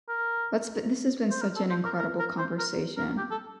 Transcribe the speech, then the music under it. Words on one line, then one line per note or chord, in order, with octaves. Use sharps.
That's b this has been such an incredible conversation.
A#4
C5
A#4
A4
C5
A#4
A#4
A#4
C5
A#4
A#4
G4
A4